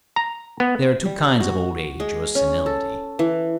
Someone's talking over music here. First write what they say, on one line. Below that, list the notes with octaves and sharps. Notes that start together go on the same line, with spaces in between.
There are two kinds of old age or senility.
A#5
B3
G3
F#4
G#3
C#4
A4
E3